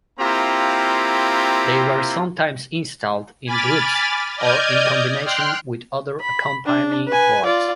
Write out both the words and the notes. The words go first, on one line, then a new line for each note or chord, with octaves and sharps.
They were sometimes installed in groups or in combination with other accompanying works.
A#3 C4 E4 F4 G4 A#5
G#5 B5 D6 F6 A6
D5 D#5 D#6 F6 G6 G#6
G5 C6 F6 F#6
B5
D4
B4 G#5
F4 D5